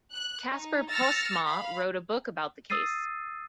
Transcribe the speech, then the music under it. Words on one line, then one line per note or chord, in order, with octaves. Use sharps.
Casper Postmaa wrote a book about the case.
F#6
D#4
E6 F6 A6 A#6 C#7
F5 B5
D#6 E6 A6 C7 D#7